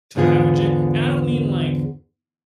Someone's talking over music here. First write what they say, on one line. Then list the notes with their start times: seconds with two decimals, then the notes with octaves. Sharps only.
to have a ge and I don't mean like
0.15 E2 G#2 D3 B3 F4 G#4